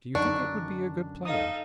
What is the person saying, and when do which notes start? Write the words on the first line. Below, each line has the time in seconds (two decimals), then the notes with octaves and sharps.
"Do you think it would be a good plan?"
0.15 F#2 D3 D4 D#4 C#6
1.25 D#4 A4 F5 D#6